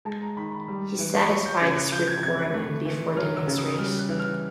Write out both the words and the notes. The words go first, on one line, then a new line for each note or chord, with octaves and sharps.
He satisfied this requirement before the next race.
G#3 A5
A#5
D#3 B5
B5
G3
E3
F#3 C#6
G6
C#3 G#6
F#6
F3 G6
G#6
C3 G#6
F#6
A3
E3
F#3 F6
E6
C#3
D#6
G3 F6
F#6
E3
F6